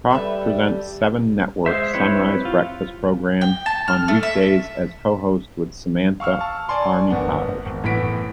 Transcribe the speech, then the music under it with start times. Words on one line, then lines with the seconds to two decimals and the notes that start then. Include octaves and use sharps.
Koch presents Seven Network's "Sunrise" breakfast program on weekdays as co-host with Samantha Armytage.
0.10 G3 A4 B4 E5
1.66 G#3 C5 E5
1.94 C4 E4 G4 B4 C#5
2.45 F4
3.41 G5
3.66 A5
3.88 F6
4.08 A3
4.23 E5
6.20 F5 C#6 E6 F6
6.41 A5
6.68 D5 G#5 A5 C6 C#6
7.08 G#1 B3 D4
7.66 G#1
7.84 A2 E3 B3 B6 D7